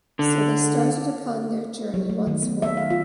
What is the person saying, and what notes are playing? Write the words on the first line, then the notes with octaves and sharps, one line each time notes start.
So they started upon their journey once more.
D3
F#3
A3
D#3
B3
E5
F5
F4